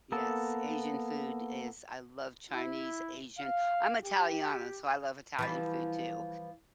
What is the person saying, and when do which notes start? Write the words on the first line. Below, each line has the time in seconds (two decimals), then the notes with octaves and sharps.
Yes, Asian food is I love Chinese, Asian I'm Italiano, so I love Italian food too,
0.12 A#3 B3 A4
2.52 E4
3.38 F5
4.03 G4
5.39 E3 F3 G3